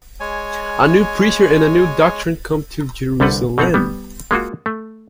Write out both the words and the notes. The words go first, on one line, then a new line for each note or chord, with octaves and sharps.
A new preacher and a new doctrine come to Jerusalem.
G#3 C#5 G#5
C2 D3 G3 A4 B4 F#5
B2 C4 A4 F#5 A#5
G3 B3
G#3 A#3 F4 F#4
A3